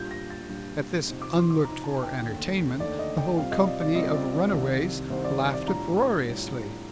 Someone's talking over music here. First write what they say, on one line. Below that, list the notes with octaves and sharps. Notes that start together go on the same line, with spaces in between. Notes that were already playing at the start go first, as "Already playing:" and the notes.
At this unlooked-for entertainment, the whole company of runaways laughed uproariously.
Already playing: A#2 G3 D4 F4 G6
A#6
A6
A#2 G3 D4 F4
C3 F3 C4 D#4
D6
C6
D6
C3 F3 C4 D#4 A#5
A5
G5
D#2 D3 A3 D#4
D#2 D3 A3 D#4 D5
D#5
G5
C3 G3 C4 F4 F5
D#5
D5
D5
C3 G3 C4 F4 D#5
D5
D5
C2 C3 D#3
C2 C3 D#3 C5
D5
D5
A2 G3 D4 F4 A#5
A2 G3 D4 F4